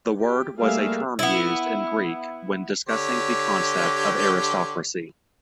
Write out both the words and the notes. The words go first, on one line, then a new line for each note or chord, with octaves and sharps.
The word was a term used in Greek when discussing the concept of aristocracy.
G4
G3 A3 A#3 G#4 E5 F5
B3 E4
D3 G4 C#5